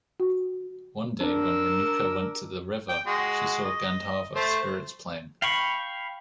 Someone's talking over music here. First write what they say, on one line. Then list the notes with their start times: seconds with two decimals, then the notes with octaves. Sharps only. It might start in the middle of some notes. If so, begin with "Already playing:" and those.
One day when Renuka went to the river, she saw Gandharva spirits playing.
0.20 F#4
1.21 D4 A#4 E6
2.89 G5
3.07 G#3 F#4
3.64 D#5
4.36 A3 C5
5.42 F5 G5 B5 C#6